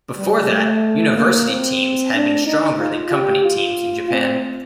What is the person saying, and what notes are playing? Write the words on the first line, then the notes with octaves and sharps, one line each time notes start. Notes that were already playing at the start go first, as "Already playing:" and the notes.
Before that, university teams had been stronger than company teams in Japan.
G3
A3
A#3
C4
D4
D#4
F4
G4
F4
C4